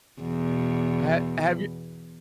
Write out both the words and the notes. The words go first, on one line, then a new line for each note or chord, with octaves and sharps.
ha have you
E2 B2